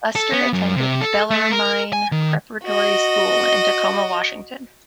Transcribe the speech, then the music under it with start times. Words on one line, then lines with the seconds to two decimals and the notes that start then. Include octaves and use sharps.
Lester attended Bellarmine Preparatory School in Tacoma, Washington.
0.15 A4
0.32 B3
0.53 F#2
0.76 C3
1.01 A4
1.31 A3
1.51 A#4
1.93 G#5
2.12 D#3
2.64 F#4 D#5